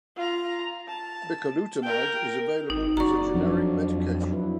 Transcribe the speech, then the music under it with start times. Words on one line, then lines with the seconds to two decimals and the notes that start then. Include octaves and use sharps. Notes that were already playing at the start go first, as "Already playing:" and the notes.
Bicalutamide is available as a generic medication.
0.16 F4 A#5
0.88 A5
1.82 A#4 G5
2.70 G#1 D#4
2.97 F#1 F#4 D5 A#5 C#6
3.34 F2 F3 F#3 D4
4.31 F#3 E4 B4